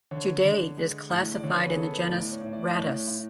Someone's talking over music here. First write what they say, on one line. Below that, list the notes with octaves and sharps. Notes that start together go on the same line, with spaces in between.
Today it is classified in the genus "Rattus".
D3 C#5
D3
G#3
A2
D5
D3 C#5
B4
C#5
G#4
B3 A4
B4
A2 D5
C#5
A2
D5
A2 C#5
A2